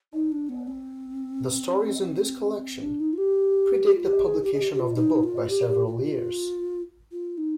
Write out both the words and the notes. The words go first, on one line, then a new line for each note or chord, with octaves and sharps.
The stories in this collection predate the publication of the book by several years.
D#4
D4
B3
C4
D4
D#4
F4
G4
F4
G4
G#4
G4
G#4
G4
G4
F4
D#4
F4
G4
G4
F4
F4
F4
D#4